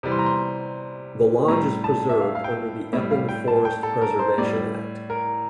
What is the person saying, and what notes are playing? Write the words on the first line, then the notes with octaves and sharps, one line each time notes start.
The lodge is preserved under the Epping Forest Preservation Act.
C3 E3 G3
C6
A#5
C6
A2 G3 A#5
A5
E5
F5
F5
G5
A2 G3 E5
F5
G5
A5
G5
A4
A#4
C5
A2 G3 D5
A#4